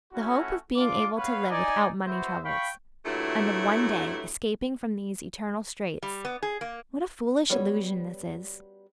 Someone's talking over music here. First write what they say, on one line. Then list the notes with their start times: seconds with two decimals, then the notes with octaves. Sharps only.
The hope of being able to live without money troubles, and of one day escaping from these eternal straits--what a foolish illusion this is!
0.13 A3 C#4 E4 F#4
0.76 D4 F4 D6
1.16 B3 B4 C#5 F5
1.49 D#4 D5 G#5
2.05 B3 E4 F#4 C5 E5
2.44 F5 G5 B5 C#6
3.06 G2 A#2 F#3 A3 E4
6.03 G3
6.25 B3
6.42 G#4
6.61 A#3
7.50 G3 B3 C#4 F#4 C#5